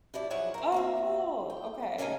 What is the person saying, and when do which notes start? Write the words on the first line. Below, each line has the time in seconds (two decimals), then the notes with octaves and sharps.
Oh, cool. Okay.
0.14 G2 B2 E4 D5
0.30 F3 F#3 E4 F#4 G#4 C#5
0.54 A#4 C5
0.72 A#3 C4 E5
1.50 G5
1.98 C#3 A#3 C#4 D#4 A4 G#5